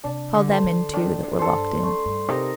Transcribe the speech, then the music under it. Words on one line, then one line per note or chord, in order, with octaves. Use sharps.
Call them in, too, that were locked in....
C3 D4
D3
A4 C5
D3
D#3 D4
C3
A4 C5
G2
A3
G2
C3 D#4 A#4 D#5